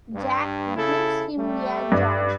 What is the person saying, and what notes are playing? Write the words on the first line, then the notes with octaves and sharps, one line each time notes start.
Jack gives him a joint.
G2
C#3 E4 A4
G3 A3
G2